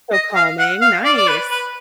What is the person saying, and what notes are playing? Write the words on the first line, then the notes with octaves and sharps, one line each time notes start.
So calming, nice.
D#5
F5
F#5
F5
D5
D5
B4
B4